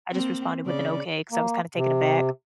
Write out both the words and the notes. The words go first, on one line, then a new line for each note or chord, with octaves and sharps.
I just responded with an okay 'cause I was kinda taken aback.
A#3 C4
C#3 D5
A#3
C3